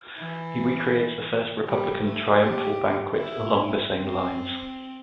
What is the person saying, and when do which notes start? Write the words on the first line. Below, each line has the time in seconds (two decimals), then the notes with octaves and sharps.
He recreates the first Republican triumphal banquet along the same lines.
0.19 E3
1.67 G3
2.05 A3
2.42 G4
3.16 E4
3.91 C4